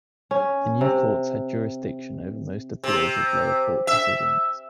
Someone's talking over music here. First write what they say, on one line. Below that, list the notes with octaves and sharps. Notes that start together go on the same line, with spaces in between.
The new courts had jurisdiction over most appeals of lower court decisions.
C#4
C3
C3
E5